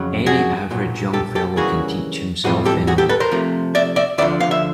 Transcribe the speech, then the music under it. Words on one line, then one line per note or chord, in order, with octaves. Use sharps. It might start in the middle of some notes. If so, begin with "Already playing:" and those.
Any average young fellow can teach himself in a week.
Already playing: F2 C#3 F#3
F#4 G#4
B1 A#2 F#3
G4 A4
G4 A4
C#3 E3 G3 A#3 C#4 F#4 G#4
A2 E3 G3 C4 F4 F#4 G#4
G4 A4
F#4 G#4
G4 A4
A4 B4
A#4 C5
C3 F3 A3
D5 E5
D5 E5
D2 D3 F3 D5 E5
F5
E5